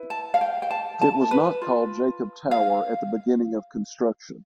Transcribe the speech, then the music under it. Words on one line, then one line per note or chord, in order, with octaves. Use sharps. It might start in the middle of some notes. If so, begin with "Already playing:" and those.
It was not called Jakob Tower at the beginning of construction.
Already playing: E4 B4
A5
F5
G5
G5
A5
A5
B4
F4 B4
F5